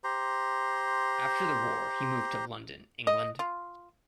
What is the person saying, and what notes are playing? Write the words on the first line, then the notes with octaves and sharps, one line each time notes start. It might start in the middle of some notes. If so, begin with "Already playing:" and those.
After the war he moved to London, England.
G4 C5 A#5 C6
D#5
F4